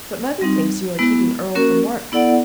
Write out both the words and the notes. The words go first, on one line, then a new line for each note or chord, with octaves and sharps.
"But mother thinks you are keeping Earle from work."
G3 C4 D#4
G#3 B3 E4
A#3 C#4 F#4 A#4
B3 E4 A4 D5 F#5